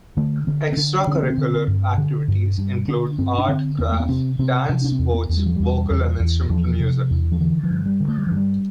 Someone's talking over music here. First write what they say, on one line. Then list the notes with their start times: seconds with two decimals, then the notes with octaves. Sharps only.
Extracurricular activities include art, craft, dance, sports, vocal and instrumental music.
0.17 D3 A3
0.47 D3 B3
0.72 C4
0.77 D3 D4
1.07 D3 D4
1.15 C4
1.23 B3
1.30 C4
1.38 D3
1.68 G2
1.98 D3
2.28 G2
2.58 G2
2.88 D3 D4
3.18 G2 C4
3.38 D4
3.48 D3 C4
3.78 E2 B3
3.92 A3
4.00 B3
4.09 C3 C4
4.39 C3 C4
4.69 C3 D4
4.84 D4
4.92 C4
4.99 E2
5.14 B3
5.29 E2
5.37 G3
5.46 F3
5.56 E2 G3
5.90 E2
6.20 E2
6.50 E2 F3
6.80 C3
7.11 E2
7.32 F3
7.40 D3 E3
7.63 F3
7.70 G2
7.86 G3
8.00 D3
8.08 A3
8.18 G3
8.27 G2 F3
8.37 G3